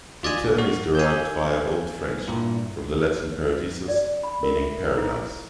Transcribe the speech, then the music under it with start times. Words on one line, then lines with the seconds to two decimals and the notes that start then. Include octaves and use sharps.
The term is derived "via" Old French from the Latin "paradisus" meaning "paradise".
0.23 F4 D5 D#5 G#5
0.44 D3
0.58 F#4
0.95 G#5 E6 G6
2.28 G2 A#2 E4
3.88 D5
4.23 B5
4.43 A#4
4.57 E5
4.98 E4